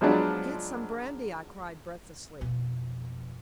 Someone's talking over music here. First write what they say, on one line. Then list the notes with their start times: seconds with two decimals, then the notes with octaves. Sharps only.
"Get some brandy!" I cried, breathlessly.
0.01 F3 F#3 G#3 B3 D4 F4
2.41 F2 B2